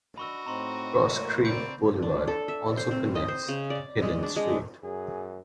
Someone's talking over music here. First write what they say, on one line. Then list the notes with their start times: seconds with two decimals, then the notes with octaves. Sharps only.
Cross Creek Boulevard also connects to Kinnan Street.
0.18 D4 F#4 D#5 B5 C#6 E6
0.46 A2 C4 D#4 A#5 C6
1.04 A2 A#3
1.45 C4 D5 B5 G6 D7
2.02 D4
2.27 A4
2.48 E5
2.77 C5
2.91 C4
3.15 D#5
3.28 C5
3.48 C#3
3.70 D5
4.02 G#3
4.23 D4
4.36 G#3
4.83 F#2 G#4